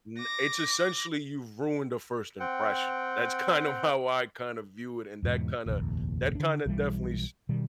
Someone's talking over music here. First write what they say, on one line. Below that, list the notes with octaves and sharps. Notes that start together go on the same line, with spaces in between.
n it's essentially you've ruined a first impression. That's kind of how I kinda view it. And that kinda that kinda definitely s
D6 A#6
C4 F#5 G5
E2 G#2 B2
F1 A#1 D#2
D3 D4
B1 E3 G3
B2 D#3 G3